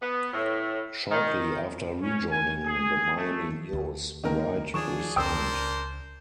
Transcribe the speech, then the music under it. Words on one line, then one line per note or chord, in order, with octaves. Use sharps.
Shortly after rejoining the Miami News, Wright resigned.
B3
A2
D#3
C#4
G#5
G#4
A3
D2
D#3 A#3 A#4
D#3 F3 D4 G#4 C#6 E7
C#2 D4 A#4 C5 G5 D#6 E6